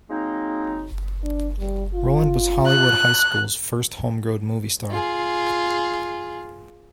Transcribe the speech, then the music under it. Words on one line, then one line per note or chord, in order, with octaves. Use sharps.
Roland was Hollywood High School's first homegrown movie star.
F#3 G#3 A#3 C4 D#4
D4
G3
F4
F#6
F4 G#4